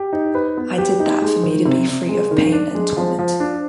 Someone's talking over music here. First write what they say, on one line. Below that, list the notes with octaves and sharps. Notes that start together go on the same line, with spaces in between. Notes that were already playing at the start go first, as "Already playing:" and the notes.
I did that for me to be free of pain and torment.
Already playing: G4
D#4
B4
B3
G4
D#4
G#3
D#3
C3
C3
G#3
D#3
D4
G#3
F3
F3
D4